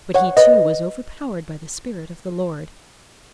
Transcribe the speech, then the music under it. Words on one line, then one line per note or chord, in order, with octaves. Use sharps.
But he, too, was overpowered by the spirit of the Lord.
C#5 F#5
B4 D#5